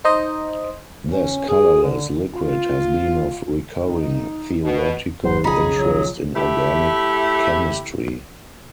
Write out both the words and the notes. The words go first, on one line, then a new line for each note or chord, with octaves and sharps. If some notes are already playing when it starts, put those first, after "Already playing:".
This colourless liquid has been of recurring theoretical interest in organic chemistry.
D#4 C5 D#5
C#4
G#4
D3
F4
D#4
B2
G1 G#2 F#3 B4 C5
B1 C#3 F3 D#4 G#4 B5
F3 F#3
A3 E4 G4